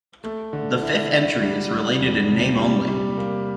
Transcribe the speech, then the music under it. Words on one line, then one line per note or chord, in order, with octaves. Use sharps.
The fifth entry is related in name only.
A3
D3
E4
D3
G3
G3
E2
C3
G3
G3
A#3